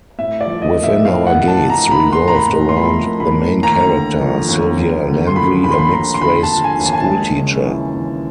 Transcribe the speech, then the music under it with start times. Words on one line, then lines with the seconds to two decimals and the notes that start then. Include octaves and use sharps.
"Within Our Gates" revolved around the main character, Sylvia Landry, a mixed-race school teacher.
0.19 A2 E5
0.41 D5
0.47 F3
0.62 D#5
0.77 A#3
0.84 E5
1.05 A2 F5
1.27 F#5
1.34 A2
1.48 A5
1.63 F3
1.70 A#5
1.87 A#5
1.91 A#3 B5
2.13 C6
2.20 A2
2.28 A#5
2.34 B5
2.48 A2
2.69 C6
2.77 F3 B5
3.06 A#3
3.20 B5
3.34 A2
3.63 D#2 A#5
3.91 D3
4.20 F3
4.49 D#2
4.78 D#2
5.06 D3
5.27 C6
5.35 F3 B5
5.64 D#2 B5
5.71 C6
5.79 B5
5.93 D#2 A#5
6.14 C6
6.21 D3 B5
6.43 A5
6.50 F3
6.64 G#5
6.79 D#2
6.86 A5
6.93 G#5
7.01 A5
7.07 G#3
7.37 C#3
7.65 E3
7.94 D#2